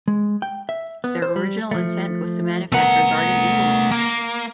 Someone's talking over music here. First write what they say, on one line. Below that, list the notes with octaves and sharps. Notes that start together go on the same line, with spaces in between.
Their original intent was to manufacture garden implements.
G#3
G5
E5
B3
C5
G3
F3 A3
C2 A3 B3 A#4 F#5
A#3